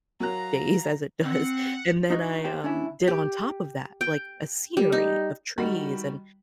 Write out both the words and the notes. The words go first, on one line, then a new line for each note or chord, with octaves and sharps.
days as it does. And then I, um, did on top of that, like, a scenery of trees, and
F#3 A#4 F5 A#5 F#6
C4 F#5
D#4 F4 F#4
G4 C5 G5
C#4 D4 E4
G4
G5
G3
D#4
D#3 G3 F#4 B5